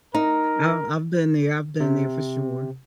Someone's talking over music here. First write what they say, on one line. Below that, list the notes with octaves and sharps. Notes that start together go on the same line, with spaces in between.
I've I've been there, I've been there for sure.
D#4 A#4
C3